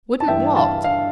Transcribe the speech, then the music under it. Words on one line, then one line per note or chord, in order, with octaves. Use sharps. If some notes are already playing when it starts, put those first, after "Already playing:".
"Wouldn't what?"
A5
G2 E3 E5 G5
F5 A5
F5